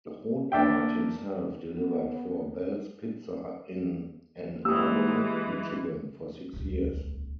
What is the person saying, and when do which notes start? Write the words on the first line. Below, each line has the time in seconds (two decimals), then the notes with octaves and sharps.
Rothbart himself delivered for Bell's Pizza in Ann Arbor, Michigan for six years.
0.52 A#3 D4 E5 G5
1.71 B3
4.65 E3 G#3 A#3 G4 D#6 E6
6.53 D#1 C#2